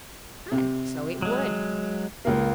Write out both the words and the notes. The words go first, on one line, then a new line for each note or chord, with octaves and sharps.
And so it would.
C3
F#3 G#3
C#2 A#3